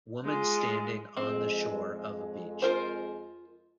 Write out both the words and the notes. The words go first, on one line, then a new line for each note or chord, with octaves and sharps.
Woman standing on the shore of a beach.
G#3 F4
F2 G#3 C4
F4 A#4 C5